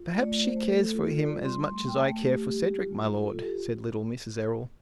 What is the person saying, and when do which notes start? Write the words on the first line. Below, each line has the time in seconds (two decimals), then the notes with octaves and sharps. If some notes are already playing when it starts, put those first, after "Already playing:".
"Perhaps she cares for him as much as I care for Cedric, my lord," said little Mrs. Errol.
Already playing: F4
0.18 A3 D5
0.34 D5
0.44 C5
0.56 A3
0.68 A4
0.94 F4 A4
1.20 D5
1.32 G3
1.45 C6
1.70 A3 C6
1.88 G5
1.96 A5
2.09 A3
2.21 G4
2.46 G3 G4
2.64 G4
2.84 F4
3.22 F4 A4
3.41 G4